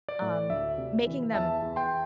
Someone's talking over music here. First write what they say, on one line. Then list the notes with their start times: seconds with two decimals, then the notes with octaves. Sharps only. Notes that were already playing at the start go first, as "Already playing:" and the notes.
um, making them
0.09 D5
0.22 A2
0.50 D2 E5
0.78 C3
1.07 E3
1.34 E2 E5 A5
1.62 E2
1.76 G5 C6